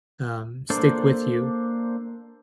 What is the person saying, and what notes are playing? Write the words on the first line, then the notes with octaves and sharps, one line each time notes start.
um, stick with you,
A#3 D4 A4 C5